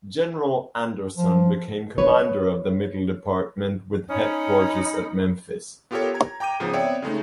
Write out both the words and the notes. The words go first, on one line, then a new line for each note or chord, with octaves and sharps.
General Anderson became commander of the Middle Department with headquarters at Memphis.
F3
B4 C#5
C#4 D#4 B5 D#6
B3 F4 G4 A4 A#4 C#5
A#5 G#6
G5 A#5 D6 G6 D#7
G#2 C#3 F3 B3
B3 C4 C#5 D5 E5 G5
C#3 G#3 A3 D#4